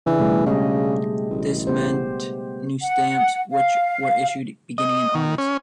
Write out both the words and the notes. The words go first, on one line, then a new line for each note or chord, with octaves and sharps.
This meant new stamps, which were issued beginning in August.
C#3 E3 D4
B2 G3 A3
C#3 G#3 G4 D#5
A1
B3 G4 C5
F#5
F5
D#5
D#3
C#4